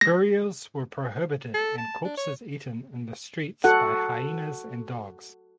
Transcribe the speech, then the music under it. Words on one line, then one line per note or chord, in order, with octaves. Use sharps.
Burials were prohibited and corpses eaten in the streets by hyenas and dogs.
A#6
A4
A5
D4
C#5
F#4 A4 F#5